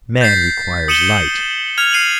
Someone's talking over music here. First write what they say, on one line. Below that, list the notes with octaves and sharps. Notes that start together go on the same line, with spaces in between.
Man requires light.
G6 A6 B6 C7
D#6 C#7 D#7 E7 F#7 G7
F6 G#6 F7
F6 C7 D#7 F7 F#7